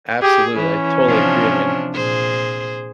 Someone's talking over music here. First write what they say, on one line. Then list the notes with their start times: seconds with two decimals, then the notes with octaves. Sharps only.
Absolutely, I totally agree, I mean,
0.22 G4 G#4
0.55 E3 C#4
1.06 C3 F3 D4
1.94 A#2 G#4 C5